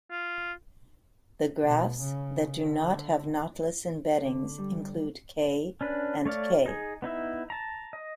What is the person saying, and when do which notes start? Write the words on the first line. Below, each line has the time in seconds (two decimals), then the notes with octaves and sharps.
The graphs that do not have knotless embeddings include "K" and "K".
0.11 F4
1.63 B2
2.02 C#3
2.61 D3
4.25 D3
4.58 G3
5.81 C#4 D4 B4
6.25 A3 C#5 D5 F5
6.66 D#4 G#4
7.02 B3 D#4 E4 E5
7.50 A5 A#5
7.93 D#5